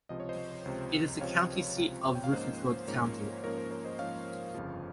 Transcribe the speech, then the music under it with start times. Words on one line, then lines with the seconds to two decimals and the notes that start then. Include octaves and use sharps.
It is the county seat of Rutherford County.
0.09 C#2 C3 F3 D#5
0.20 C#5
0.29 C5 D#5
0.66 C#2 C3 F3
1.21 C#2 C3 F3 C#5 F5
1.77 C#2 C3 F3
2.15 G5
2.24 F5
2.32 G#2 F3 A#3 C#4 C5 D#5
2.87 G#2 F3 A#3 C#4 A#4 C#5
3.44 G#2 F3 A#3 C#4 A#4 C#5
3.58 C5
3.71 A#4 C#5
3.85 C5 D#5
3.99 G#2 F3 A#3 C#4 C#5 F5
4.54 G1 F2 C#3 F3